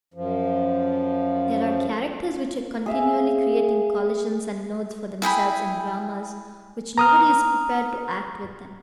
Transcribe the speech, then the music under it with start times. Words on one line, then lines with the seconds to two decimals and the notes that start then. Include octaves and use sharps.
There are characters which are continually creating collisions and nodes for themselves in dramas which nobody is prepared to act with them.
0.14 F#2 F3
2.86 G#4 E5 F5
5.22 E4 G#4 G5 B5
6.98 A#5 D#6 F6